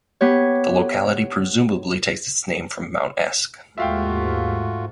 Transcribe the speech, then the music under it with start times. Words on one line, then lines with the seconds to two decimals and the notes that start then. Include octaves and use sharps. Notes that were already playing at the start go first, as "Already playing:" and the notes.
The locality presumably takes its name from Mount Esk.
0.21 B3 G4 C#5
3.78 D#2 G#2 A3 F4 F#4 E5 F5 G5